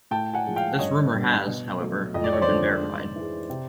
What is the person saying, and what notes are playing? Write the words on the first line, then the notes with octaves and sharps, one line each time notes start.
This rumour has, however, never been verified.
A2 G5 A5
F#5 G#5
F3 G#3
F5 G5
G2 C#5 D#5
D3 G3
B2
F#3 A3
F2 D#5
D5
C#5
C5 D5
D3 F3 A3
G#2
E3 G#3
C3